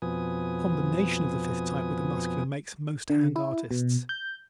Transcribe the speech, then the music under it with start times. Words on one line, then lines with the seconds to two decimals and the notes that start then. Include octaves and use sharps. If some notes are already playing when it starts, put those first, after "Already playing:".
A combination of the fifth type with the Muscular makes most hand artists.
0.02 F2 B2 F3 B4 G#5 D#6
3.10 D3
3.36 E4
3.71 B2
4.09 G6